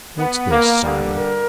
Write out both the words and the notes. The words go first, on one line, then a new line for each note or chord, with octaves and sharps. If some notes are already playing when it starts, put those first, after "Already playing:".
"What's this, Simon?"
B3
A#3
G2 D3 G3
A#4